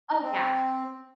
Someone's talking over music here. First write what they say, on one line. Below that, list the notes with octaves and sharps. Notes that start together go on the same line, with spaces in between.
oh, yeah,
C4